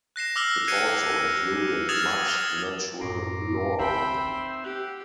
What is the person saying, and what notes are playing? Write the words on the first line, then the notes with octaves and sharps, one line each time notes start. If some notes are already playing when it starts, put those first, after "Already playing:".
It also included much natural lore.
F#6 A#6 C7 E7
D6 E6 F6 F#7 G7
F#6 G#6 C7 C#7 D#7
D#6 F6 G#6 A6 E7 F7
D#6 G#6 F7 G7
F#2 A2 A#5 C6 D6
D2 C4 C5 E5 G5 B5
D#4
G4 F#5